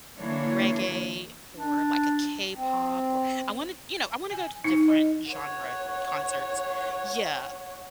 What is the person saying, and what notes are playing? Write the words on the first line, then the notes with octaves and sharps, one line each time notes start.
reggae or, like, a K-pop or I wanna you know, I wanna go to different genre concerts Yeah.
D3 E3 A#3 D4 C#5
D4
C4
G#5
D#4
D#5
C#5 F#5